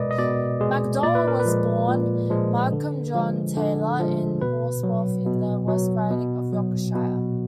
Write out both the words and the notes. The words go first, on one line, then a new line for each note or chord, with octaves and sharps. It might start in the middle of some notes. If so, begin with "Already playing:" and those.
McDowell was born Malcolm John Taylor in Horsforth in the West Riding of Yorkshire.
Already playing: B2 G#3 A#4 B4 D5 D#5
D#5
B2 D5
G#3 G#4
A#2 D5
B4
A#4
B4
F3 G#3
A#2
F3 G#3
D3
F3 G#3
D3
F3 G#3
B2 B4
F#3
B2
F#3
B2
F#3
B2